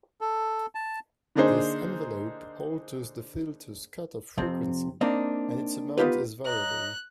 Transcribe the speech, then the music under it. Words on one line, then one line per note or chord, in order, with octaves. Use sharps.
This envelope alters the filter's cutoff frequency and its amount is variable.
A4
A5
D3 A#3 D4 D#4 G#4 C5
F2 C3 C4
A#3 C4 D4 D#4
B3 D#4 F4 G4 B4
C#5 D#5 A#5 F#6